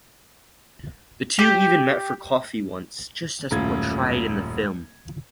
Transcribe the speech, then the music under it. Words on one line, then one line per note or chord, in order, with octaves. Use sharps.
The two even met for coffee once, just as portrayed in the film.
G4
D#1 F#2 A2 F4 G#6